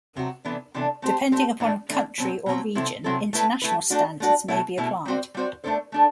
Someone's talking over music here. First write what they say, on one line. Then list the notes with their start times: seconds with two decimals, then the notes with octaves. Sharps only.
Depending upon country or region, international standards may be applied.
0.16 C3 F#3 C4 F#4
0.45 C3 E3 B3 D4 A4
0.74 C3 E3 B3 D4 A4
1.02 A3 C4 G4 C5
1.32 A3 C4 G4 C5
1.60 A2 E3 A3 D4
1.89 A2 E3 A3 D4
2.18 B2 F#3 C4
2.46 B2 F#3 C4
2.75 C3 F#3 C4 E4 A4
3.04 C3 F#3 C4 E4 A4
3.33 A3 E4 B4
3.62 A3 E4 B4
3.90 A3 D4 F#4
4.20 A3 D4 F#4
4.48 B2 A3 E4
4.78 B2 A3 E4
5.05 G3 C4 F#4 C5
5.34 G3 C4 F#4 C5
5.64 A3 D4 A4 C5
5.92 A3 D4 A4